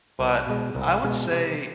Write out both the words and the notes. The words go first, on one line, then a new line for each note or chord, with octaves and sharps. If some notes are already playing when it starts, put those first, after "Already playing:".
But, I would say,
C2
B2 G#3
C2
B2 G#3
C3